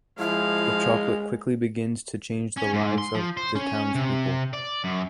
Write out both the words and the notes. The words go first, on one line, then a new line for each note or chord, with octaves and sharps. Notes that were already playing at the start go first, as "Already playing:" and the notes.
Her chocolate quickly begins to change the lives of the townspeople.
F3 G#3 E4 F5
C#4
G#2
C6
F3
C5
C#4
C3
D5
F#2